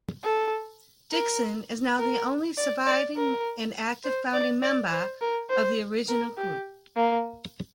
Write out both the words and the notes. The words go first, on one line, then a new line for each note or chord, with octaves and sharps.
Dixon is now the only surviving, and active, founding member of the original group.
A4
A#4
A#4
D5
D5
A#4
C5
D5
D5
C5
A#4
C5
A#4
G4
A#3